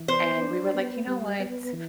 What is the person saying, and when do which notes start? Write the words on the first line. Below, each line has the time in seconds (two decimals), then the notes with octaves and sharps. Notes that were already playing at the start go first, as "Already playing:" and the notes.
and we were like, "You know what?
Already playing: E3
0.08 B3 C5
0.41 D4
0.74 B3
1.07 G3
1.40 B3
1.73 E3